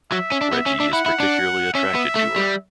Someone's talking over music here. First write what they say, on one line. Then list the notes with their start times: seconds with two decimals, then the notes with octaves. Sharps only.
Reggie is particularly attracted to her.
0.12 F#3 E5
0.32 C#4
0.41 D4
0.52 B3
0.66 C#4
0.80 D4
0.93 E4 F#5
1.06 E4
1.20 D4
1.74 C#4 E5
1.95 B3
2.16 A3
2.36 G3